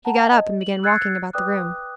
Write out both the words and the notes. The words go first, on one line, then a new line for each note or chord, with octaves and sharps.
He got up and began walking about the room.
F#5 A5 A#5
D#5
F#7
E6 F#6 G#6 A6 C7 C#7
B4 D5 G5 D6 D#6 F#6